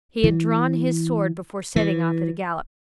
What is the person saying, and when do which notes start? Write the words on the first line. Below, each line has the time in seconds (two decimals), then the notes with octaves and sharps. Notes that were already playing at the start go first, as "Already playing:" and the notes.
He had drawn his sword before setting off at a gallop.
0.24 E3
1.76 E3